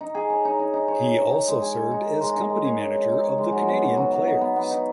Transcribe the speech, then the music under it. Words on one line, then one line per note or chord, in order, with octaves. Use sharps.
He also served as company manager of the Canadian Players.
D#4
G#4
C#5
D#4
D#4
D#4
C#5
C#5
D#4
D#4
G#3
G#4
C#5
D#4
A#4
G#3
D#4
G#3
C#5
C#5
D#4
D#4
C#5
G#3
F#3
B3
F#3
F#3
F#3
D#4
B3
B3
D#4